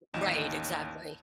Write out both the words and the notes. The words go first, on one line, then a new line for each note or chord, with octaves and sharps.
Right, exactly.
A1 D#2 D#4 E7